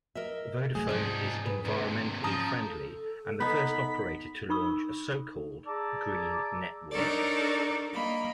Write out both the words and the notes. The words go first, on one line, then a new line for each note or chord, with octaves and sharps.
Vodafone is environmentally friendly and the first operator to launch a so-called Green network.
A#4 D#5 E5
D1 F#3 A3 G#4
G#2 C3 F3 D#4 D5
B4
D#2 C3 D4
C#3 F3 A5 A#5 D#6
A4
B3 D#4 B5
D#4 A#4 B5 C#6 D#6 E6
G#4 D5 A5 A#5 D6 E6
D4 D#4 A4 A#4 C#5 D5
A#3 D#5 B5